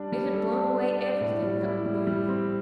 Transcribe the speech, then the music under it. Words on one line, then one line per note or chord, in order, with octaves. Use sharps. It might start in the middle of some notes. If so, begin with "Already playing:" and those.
It had blown away everything that would move.
Already playing: G3 D4 D5
G3
A4
D4
D4
D5
A2
G3
E4
G3
G3
C4